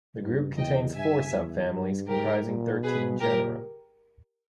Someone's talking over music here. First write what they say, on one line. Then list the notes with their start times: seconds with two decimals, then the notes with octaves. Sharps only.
The group contains four subfamilies comprising thirteen genera.
0.20 G2
0.57 E2 D#5 G5
0.94 G2 E5 G#5
1.33 E2
1.71 G2
2.08 G#2 G4 A#4
2.46 A#2
2.83 B2 G#4 B4
3.20 A#2 G4 A#4